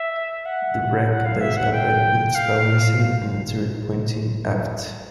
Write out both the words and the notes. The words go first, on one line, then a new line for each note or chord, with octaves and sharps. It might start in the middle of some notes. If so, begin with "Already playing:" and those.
The wreck lies upright with its bow missing and A turret pointing aft.
Already playing: E5
F#5
F#5
F5
E5
F#5
G5
F5